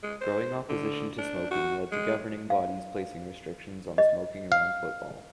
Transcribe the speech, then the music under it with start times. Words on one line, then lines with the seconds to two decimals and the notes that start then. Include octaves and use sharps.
Growing opposition to smoking led to governing bodies placing restrictions on smoking around football.
0.03 G#3
0.21 C5
0.69 D3
1.18 D4
1.51 F#4
1.92 G#3
2.50 F5
3.98 D#5
4.52 F5